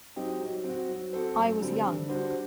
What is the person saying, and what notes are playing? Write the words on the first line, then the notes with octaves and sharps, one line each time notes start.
I was young.
F#3 C4 D#4 G4
F#3
C4 F#4
F#3
C4 F#4 A4 C5
F#2
D3 G3 C4
D3
G3 D4 F#4 C5